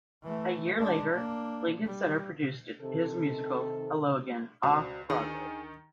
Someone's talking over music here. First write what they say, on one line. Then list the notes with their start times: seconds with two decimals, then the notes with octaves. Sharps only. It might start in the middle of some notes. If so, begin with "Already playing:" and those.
A year later, Lincoln Center produced his musical "Hello Again" Off Broadway.
0.23 E3 A3
0.78 G#3 D4
1.12 A#3 D4
1.85 G3
2.81 C3 D#3 A4
4.63 C#2 F#4 C5 D5
5.10 D2 D#3 D4 G#4 D#6